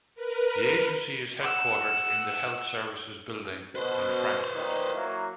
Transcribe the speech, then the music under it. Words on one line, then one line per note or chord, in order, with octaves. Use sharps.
The agency is headquartered in the Health Services Building in Frankfort.
A#4 B4
F#5 E6
B2 B4 C5
A#2 D#3 D#4
F#3 A#3 E4